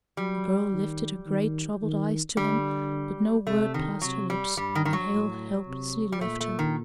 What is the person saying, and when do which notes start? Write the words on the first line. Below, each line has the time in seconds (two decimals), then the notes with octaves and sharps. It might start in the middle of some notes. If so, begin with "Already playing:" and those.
The girl lifted her great troubled eyes to him, but no word passed her lips, and Hale helplessly left her.
0.17 F#3 G3
0.73 D#3
1.27 D#3
1.82 D#3
2.37 D3 G3
3.47 C3 A3
3.74 D#3
4.02 C3 F#3
4.30 G3
4.57 G2 G3
4.75 D#3
4.85 D#3
4.93 F#3
5.12 A2
5.67 C3
6.12 G3
6.21 A#2 A3
6.41 A3
6.59 D#3